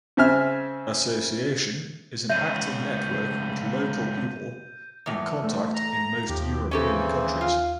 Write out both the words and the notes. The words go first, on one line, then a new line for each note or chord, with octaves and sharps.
Association is an active network with local people in contact in most European countries.
C#3 C4 E5 G#5 F6
C#2 A2 E5 G6 D#7
E2 A2
G3 A3 C4
A#5
D#2 F3 G4
C#3 E3 C4 C#4 G4 A4
F4